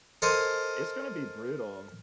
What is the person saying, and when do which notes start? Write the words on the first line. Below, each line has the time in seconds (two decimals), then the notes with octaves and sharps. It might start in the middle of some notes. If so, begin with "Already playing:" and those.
It's gonna be brutal.
0.22 A4 A#4 C5 D#5 G#5